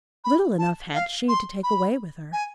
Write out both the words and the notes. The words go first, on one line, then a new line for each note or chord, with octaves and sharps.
Little enough had she to take away with her.
B5
A5
F5
C6
B5
G#5